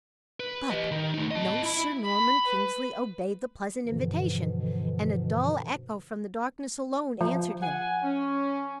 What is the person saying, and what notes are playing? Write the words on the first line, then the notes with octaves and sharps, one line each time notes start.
But no Sir Norman Kingsley obeyed the pleasant invitation, and a dull echo from the darkness alone answered him.
B4
G4 D#5
D#3
A3 D#4
D#5 A5
E4 B5
B5
B4
G2 B2 D3 E3 F3
F3
F#5 G#5
C#4